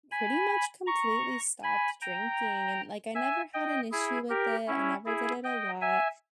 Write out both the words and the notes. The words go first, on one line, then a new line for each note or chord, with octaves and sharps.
pretty much completely stopped drinking, and, like, I never had an issue with it, I never did it a lot,
G#5 B5
A#5 C#6
G#5 B5
G5 A#5
E5 G#5
D#5 G5
E4 G#4
G4 A#4
C#4 E4
E4 G#4
D#5 G5
E5 G#5